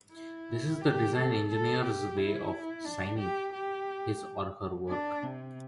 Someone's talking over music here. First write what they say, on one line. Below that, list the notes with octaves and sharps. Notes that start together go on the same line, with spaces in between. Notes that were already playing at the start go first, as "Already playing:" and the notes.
This is the design engineer's way of "signing" his or her work.
E4
G4
A4
A4
G4
E4
D4
G4
G4
D4
C3